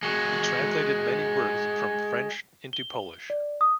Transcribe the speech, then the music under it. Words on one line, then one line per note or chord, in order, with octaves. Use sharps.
He translated many works from French into Polish.
G#3 F#4
G7
D5
D#6